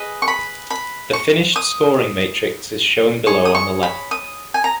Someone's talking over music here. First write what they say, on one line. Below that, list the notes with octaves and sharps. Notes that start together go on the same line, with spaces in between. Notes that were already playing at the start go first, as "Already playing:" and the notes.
The finished scoring matrix is shown below on the left.
Already playing: G#4 B4 D#5
C#6
B5
B5
C#6
D#6
G#4 C#5 C#6
D#6
C#6
B5
D#6
G#5
A#5